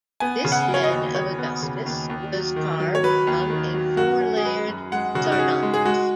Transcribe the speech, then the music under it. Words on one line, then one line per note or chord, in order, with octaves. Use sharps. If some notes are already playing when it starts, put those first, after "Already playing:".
This head of Augustus was carved from a four-layered sardonyx.
B3 G#5
C#3
F#5
F#3
C#5
D#5
D#2
D#2 C#5
B3
C#3
D#2
D#2
F#3
D#3
F#3
C#5
F#3 B4
D#2
D#3
F#3
F#2 F#4
C#4
G#4
F#2 B4
F#2
G#3 F#5
C#3 F#4
D#4
F#4
C#4 G#4
G#3
G#4
G#3 F#4